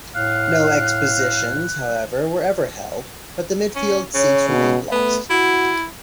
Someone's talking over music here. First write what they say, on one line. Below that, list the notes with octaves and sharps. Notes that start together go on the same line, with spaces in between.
No expositions, however, were ever held, but the midfield seats remained lost.
A2 F5 F#6
C#4
C#3 C#5
B2
A3 B3
E4 F#4